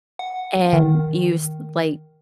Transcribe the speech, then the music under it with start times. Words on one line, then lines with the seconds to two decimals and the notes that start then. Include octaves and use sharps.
and you s like,
0.19 F#5
0.73 D#3